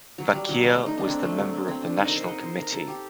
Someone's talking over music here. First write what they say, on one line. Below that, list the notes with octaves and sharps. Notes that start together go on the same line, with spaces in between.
Fakir was the member of the National committee.
F#3
G3
F#3
G3
A3
D#4
D4
C4
A3
F#3
A3
C4
D4
D#4
A#4
C5
F#5
D#5
C5
A#4
A4
G4